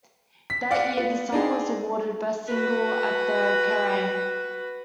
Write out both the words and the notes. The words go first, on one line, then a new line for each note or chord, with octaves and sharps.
That year the song was awarded Best Single at the Kerrang!
B6
D5 F5 F#5
B3 F4
D4 D#4 G#4
F#4 B4